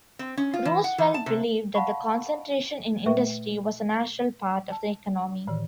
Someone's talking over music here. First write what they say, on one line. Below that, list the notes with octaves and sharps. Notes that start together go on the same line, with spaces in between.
Roosevelt believed that the concentration in industry was a natural part of the economy.
C4
C#4
F4
E3
F#5
E3
A5
C3
F5 F#5 A5 B5 C#6
A#2 A3 B4 E5 C#6
A5
A2 D#3 E3